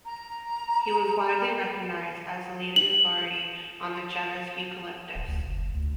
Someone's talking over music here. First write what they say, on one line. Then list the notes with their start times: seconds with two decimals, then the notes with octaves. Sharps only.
He was widely recognised as the leading authority on the genus "Eucalyptus".
0.05 A#5
2.76 F#7
5.15 D#1
5.28 D2
5.44 F#1
5.75 D2